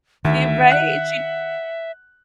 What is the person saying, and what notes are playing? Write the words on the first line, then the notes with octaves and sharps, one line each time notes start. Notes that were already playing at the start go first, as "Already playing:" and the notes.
e right, she
D2 D#3 E5
F#5 F#6